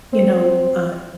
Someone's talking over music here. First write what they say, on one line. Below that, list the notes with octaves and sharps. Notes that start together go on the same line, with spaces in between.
You know, uh,
C4